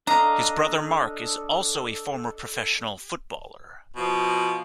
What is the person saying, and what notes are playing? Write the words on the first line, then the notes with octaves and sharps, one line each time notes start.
His brother Marc is also a former professional footballer.
D4 A4 D#5 F5 A#5
B2 F3